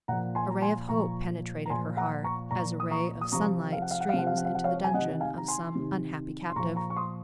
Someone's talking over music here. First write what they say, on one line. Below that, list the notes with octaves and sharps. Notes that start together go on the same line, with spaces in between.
A ray of hope penetrated her heart, as a ray of sunlight streams into the dungeon of some unhappy captive.
A#2 F3 F#5 A#5
G#5 C6
A#5
G#5 C6
A#2 F3 A#5 C#6
A#5
A#2 F3 G#5 C6
F#5 A#5
A#5 C#6
A#2 F3 A#5 C#6
D#6
A#5 C#6
D#6
C3 F3 A#5 C#6
F5
F#5
F5
F#5
F5
C3 F3 F#5
F5
F#5
F5
F#5
C#5 F5
G#5
C3 D#3 D#5 F#5
F5 G#5
A#5
G#5 C6
C3 D#3
C6
A#2 F3 A#5 C#6
A#5 C#6
C#6
C6 D#6